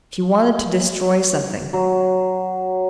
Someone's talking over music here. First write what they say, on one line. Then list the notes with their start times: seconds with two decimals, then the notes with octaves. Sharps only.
She wanted to destroy something.
1.73 F#3